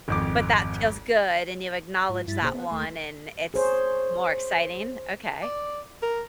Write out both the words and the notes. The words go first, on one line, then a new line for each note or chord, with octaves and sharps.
But that feels good, and you acknowledge that one, and it's more exciting? Okay.
G#1 F2 D6
G#2 F4
G2 E4 A6 B6
G#1 A#2 C#3 G#4 C5
B3 F#5
D#2 A3 C6
G#4 C5 C#5
D5
A#4